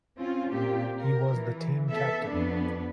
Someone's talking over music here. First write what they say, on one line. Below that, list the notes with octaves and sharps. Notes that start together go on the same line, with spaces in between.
He was the team captain.
C4 C#4 F4
A#2 C4 G4
A#4
E3
B3 A4 E5
F2 B3 D4